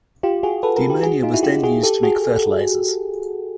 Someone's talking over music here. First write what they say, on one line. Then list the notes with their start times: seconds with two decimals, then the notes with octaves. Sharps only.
The ammonia was then used to make fertilizers.
0.23 F4 G4
0.43 F#4 G#4
0.63 A4 B4
0.77 G#4 A#4
0.90 G4 A4
1.03 F#4 G#4
1.23 D#4 F4
1.33 E4 F#4
1.43 F4 G4
1.63 F#4 G#4
1.83 G4 A4
2.03 F#4 G#4